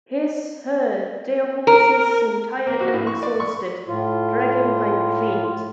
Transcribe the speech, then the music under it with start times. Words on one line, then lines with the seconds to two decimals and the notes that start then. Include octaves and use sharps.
His/her / their horses, seemed tired and exhausted, dragging hind feet.
1.67 A#4
2.67 A#3
2.81 F#4
2.94 A2
3.07 C#6
3.23 D5
3.40 C#6
3.88 A2 F4